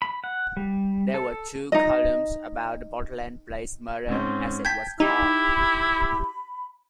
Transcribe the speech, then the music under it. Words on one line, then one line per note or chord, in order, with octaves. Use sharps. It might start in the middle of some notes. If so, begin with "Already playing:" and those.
There were two columns about the Portland Place Murder, as it was called.
B5
F#5
G3
A4
D#4 D#5
G#2 C4 C#4
G5 A5 G6 G#6 B6
D#4 E4 G4 B5